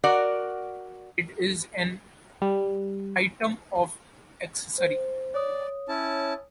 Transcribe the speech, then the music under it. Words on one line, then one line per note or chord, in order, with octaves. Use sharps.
It is an item of accessory.
F#4 A#4 D5 F#5
G3
C5
C#5 D5 D#6
C#4 E4 A5